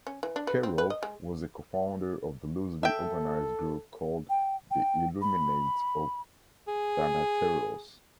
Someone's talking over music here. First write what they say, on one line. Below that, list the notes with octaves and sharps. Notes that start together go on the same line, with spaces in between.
Carroll was a co-founder of the loosely organized group called the Illuminates of Thanateros.
C#4
E3
D4
B4
C4
B4
D#5
G#3
A4 E5 G5
G5
G5
B5
G#4